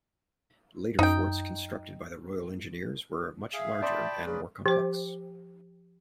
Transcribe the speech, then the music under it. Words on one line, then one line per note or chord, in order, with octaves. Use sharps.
Later forts constructed by the royal engineers were much larger and more complex.
F#2 D#4 G5
G#4 E5 F5
D5 G5 A5 B5 C6 D#6
A#3 C#4 G#4 B4
F3 G4 C5